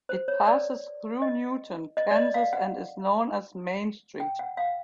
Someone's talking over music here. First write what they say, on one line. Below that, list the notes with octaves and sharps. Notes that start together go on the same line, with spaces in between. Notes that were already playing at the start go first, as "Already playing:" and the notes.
It passes through Newton, Kansas and is known as Main Street.
C5
C#5
D5
D#5
D#5
D5
D#5
F5
F#5
G5
F#5
F5